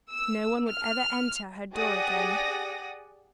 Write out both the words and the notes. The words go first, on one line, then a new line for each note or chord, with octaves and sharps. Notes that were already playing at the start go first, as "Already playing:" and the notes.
No one would ever enter her door again.
E6
F6
G4 G#4 D5 F#5 D#6 A#6